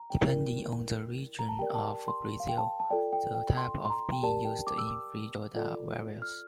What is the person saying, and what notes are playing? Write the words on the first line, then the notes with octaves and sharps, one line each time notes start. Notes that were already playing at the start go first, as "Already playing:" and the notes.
Depending on the region of Brazil, the type of bean used in feijoada varies.
Already playing: A#5
G5
E4 A#4 D5
A#5
A5
G4 A#4 D5 G5
A5
C6
F5
G5
A5
A5
F4 A4 D5 G5
G5
G5
C6
C6
A#5
G5
G4 A#4 D5 A5
G5
D6
E6
D6
F4 A4 D5
F6